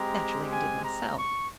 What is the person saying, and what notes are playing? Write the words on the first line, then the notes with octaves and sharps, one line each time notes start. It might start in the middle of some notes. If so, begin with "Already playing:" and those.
Naturally I did myself.
Already playing: G#3 C4 G4 A#5
G#5
A#5
C#6